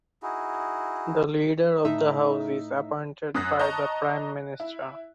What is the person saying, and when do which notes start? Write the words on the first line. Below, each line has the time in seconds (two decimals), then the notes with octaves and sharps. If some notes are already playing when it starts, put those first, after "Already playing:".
The leader of the house is appointed by the prime minister.
0.23 D#4 E4 F#4 G#4
1.85 A2 D#4 E5
3.34 F#2 D#6 F#6 A#6
3.59 D#5 A5 A#5 C#6
4.60 E4